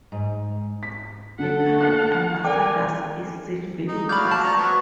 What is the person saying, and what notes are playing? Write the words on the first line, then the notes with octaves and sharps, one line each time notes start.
The current ambassador is Sylvie Lucas.
G#2
B6
D3 A4 F#5
F#6
A#4 D5 G5 G#5 D6
D#4
F#3 D5 F5 B5 G6
A5
F3 A#5 C#6
F#3 B3 C#6